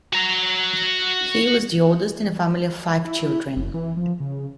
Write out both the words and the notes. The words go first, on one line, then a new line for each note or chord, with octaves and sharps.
He was the oldest in a family of five children.
F#4 A#5
E4
F#1
E3
F3
C#3